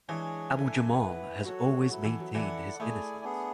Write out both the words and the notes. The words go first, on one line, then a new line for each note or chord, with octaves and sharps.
Abu-Jamal has always maintained his innocence.
E3 G#3 D4 G#4 C#5
D4 A4 E5 G#5
B3 E4 B4
F#3 F#4 A4 C#5
G#3
F#3 B3 E4 A4
E3
F#3
E3 E4 A4 D5 F#5
A3 E4 G#4 D5 G#5
B3 D4 G#4